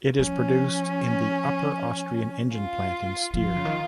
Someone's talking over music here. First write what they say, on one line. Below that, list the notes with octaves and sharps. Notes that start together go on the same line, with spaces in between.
It is produced in the upper Austrian engine plant in Steyr.
F3 C#4
F4
F3 F4
C#3
D#3